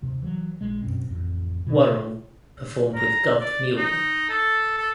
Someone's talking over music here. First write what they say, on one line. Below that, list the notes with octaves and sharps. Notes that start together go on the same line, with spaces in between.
Worrell performed with Gov't Mule.
D#2 C3
E3 F#3
A#1 G#3
F#2 B2 C4
A1 F2
B2
A#5
D5
D#4
A4
A4